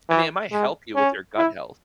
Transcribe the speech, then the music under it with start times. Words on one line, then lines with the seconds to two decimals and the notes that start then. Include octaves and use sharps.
I mean, it might help you with your gut health.
0.09 E3
0.52 G#3
0.95 C#4
1.37 E4